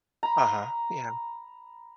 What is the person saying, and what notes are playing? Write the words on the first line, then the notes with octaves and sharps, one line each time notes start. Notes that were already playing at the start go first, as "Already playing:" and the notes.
Uh-huh, yeah.
A#5 B5